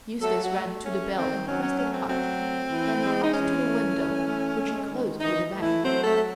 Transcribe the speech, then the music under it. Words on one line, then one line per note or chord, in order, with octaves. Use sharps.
Eustace ran to the bell and pressed it hard; then across to the window, which he closed with a bang.
F#3 A3 A4
F#3 F#4
A3
A3 C#4
D#3 C4
F#3 C#4
C#4
A3 C#4
C4
F#3 C4
A3
E3
G#3
D#4
E3 C#4
A3
E3
A3
G#3
D#3
D#3 E3 D#4
A3
E3 E4
F#3 C4 C5
A3 A4
A3